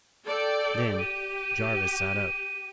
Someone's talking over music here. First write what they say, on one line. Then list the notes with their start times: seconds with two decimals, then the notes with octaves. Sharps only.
Then Jarvis sat up.
0.24 A4 D5 G5
0.99 G4 D#7